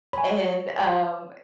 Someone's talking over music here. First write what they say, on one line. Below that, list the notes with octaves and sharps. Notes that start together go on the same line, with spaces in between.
And, um,
C#5 G#5 B5